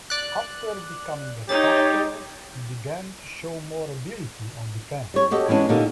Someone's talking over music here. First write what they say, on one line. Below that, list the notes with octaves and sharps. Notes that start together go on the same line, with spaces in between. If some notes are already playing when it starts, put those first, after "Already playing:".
After becoming a starter, he began to show more ability on defense.
D5 F#6
D#4 G4 C#5 A6
G3 C#5
F#4 G4 A4 D#5
E3 G#3 B3 C#4 D4
A#2 D3 D#4 G4 A#4